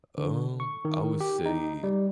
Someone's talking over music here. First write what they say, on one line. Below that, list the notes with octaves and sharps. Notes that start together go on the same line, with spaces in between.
U um, I would say
D3
C#6
D#3
G4
D#4
G3